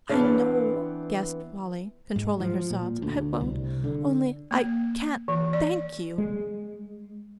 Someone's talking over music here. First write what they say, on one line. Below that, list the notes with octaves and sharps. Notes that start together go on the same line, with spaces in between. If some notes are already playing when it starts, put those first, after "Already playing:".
"I know," gasped Polly, controlling her sobs; "I won't--only--I can't thank you!"
E3 B3 C4 D4 D5 F5
G#2
F3
A#2
D2
C2
D3
A#3
E3
D5
G#3